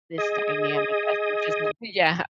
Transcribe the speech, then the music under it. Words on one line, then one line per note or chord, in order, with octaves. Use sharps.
this dynamic as much as I" Yeah.
G#4 D#5